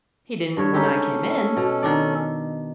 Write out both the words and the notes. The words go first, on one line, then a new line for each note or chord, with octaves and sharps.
"He didn't when I came in."
G2 A4 C#5
G#3 C#4 D#4 G4 A4
B2
D#3 D4 D5